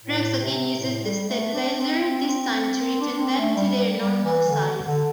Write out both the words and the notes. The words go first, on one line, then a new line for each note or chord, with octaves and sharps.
Drax again uses the stabilizer, this time to return them to their normal size.
A2
C3
A2
G3
A3
D4
C4
C4
C4
D4
C4
A3
G3
G3
G3
E3
D3
D3